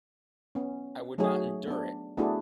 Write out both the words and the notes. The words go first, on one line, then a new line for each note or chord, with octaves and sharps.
I would not endure it.
B3 C#4
F#3 A3 D#4 F#4 G#4 C#5
B3 D4
A3 B3 D4 E4 F#4 G#4